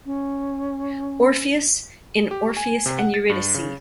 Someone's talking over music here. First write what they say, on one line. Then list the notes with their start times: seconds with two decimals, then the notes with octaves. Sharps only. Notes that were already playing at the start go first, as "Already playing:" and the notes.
Orpheus in Orpheus and Eurydice.
0.06 C#4
2.31 G4
2.57 G#5
2.86 C3
2.99 F#5
3.14 A6
3.30 G2
3.54 C#3